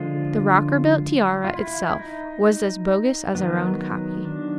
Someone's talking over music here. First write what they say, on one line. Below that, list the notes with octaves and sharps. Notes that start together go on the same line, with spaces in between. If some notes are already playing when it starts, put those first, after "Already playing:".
The Rockerbilt tiara itself was as bogus as our own copy.
Already playing: D3 F3 G#3 F4
F4
E4
D#4
D#3 F#3 B3
D4